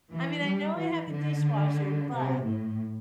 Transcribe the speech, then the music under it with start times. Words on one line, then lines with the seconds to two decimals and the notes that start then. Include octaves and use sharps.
mean, I know I have a dishwasher, but
0.12 E3
0.45 G3
0.78 E3
1.11 D3
2.13 C3
2.47 A2